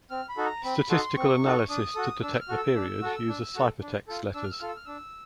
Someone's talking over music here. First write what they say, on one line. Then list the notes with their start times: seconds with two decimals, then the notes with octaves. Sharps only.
Statistical analysis to detect the period uses ciphertext letters.
0.10 C4 F6
0.29 B5
0.37 D#4 F#4 A4
0.46 A#5
0.64 C4 B5
0.90 D#4 F#4 A4 C6
1.17 C4 C#6
1.43 D#4 F#4 A4
1.70 D4 D#6
1.96 F#4 A4
2.22 D4 E6
2.41 F6
2.49 F#4 A4
2.58 E6
2.76 D4
3.02 F#4 A4
3.28 D4
3.55 F#4 A4
3.82 D4
4.08 F4 A4
4.34 D4 E6
4.43 F6
4.52 E6
4.60 F4 A4 F6
4.68 E6
4.77 F6
4.85 D4 E6